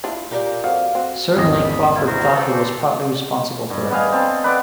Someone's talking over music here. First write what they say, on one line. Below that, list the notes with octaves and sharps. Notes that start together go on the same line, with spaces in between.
Certainly Crawford thought he was partly responsible for it.
D4 E4 F4
A#2 G4 A#4 D5
F2 F#4 F5
C4 F#4
G#1 E2 C#4 D5 D#5 D#6
B5
E4 F4
E4 F#4 A#4 C5
A4 B4 C5 D5 G5
G2
B3 D#5 F5 G#5
C4 A5
B4 D5 F#5